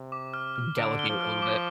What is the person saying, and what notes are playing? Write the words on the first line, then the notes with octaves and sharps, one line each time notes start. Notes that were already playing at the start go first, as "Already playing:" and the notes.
Delegate a little bit.
Already playing: C3
D6
F6
F6
D3 D7
G7
F3
F6
D6